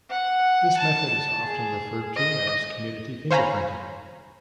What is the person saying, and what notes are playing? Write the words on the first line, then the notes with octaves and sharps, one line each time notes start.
This method is often referred to as community fingerprinting.
F#5
A5
G#4
D#5
C5 C#5 F5 G#5 A#5 B5